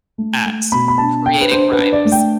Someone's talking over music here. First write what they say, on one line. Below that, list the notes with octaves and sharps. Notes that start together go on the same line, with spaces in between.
at creating rhymes.
A3
A3
B2 B5
B5
D4 A5
D4 G5
B4
D4 C5
B4
D4
D5
A3
G5